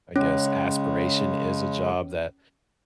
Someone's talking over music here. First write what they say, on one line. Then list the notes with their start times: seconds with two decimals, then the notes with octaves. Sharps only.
I guess, aspiration is a job that,
0.16 C#3 G#3 C#4